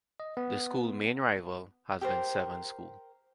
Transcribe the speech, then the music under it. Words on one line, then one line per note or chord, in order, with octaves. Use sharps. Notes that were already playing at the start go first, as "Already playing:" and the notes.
The school main rival has been Severn School.
D#5
B3
G4 A#4 C5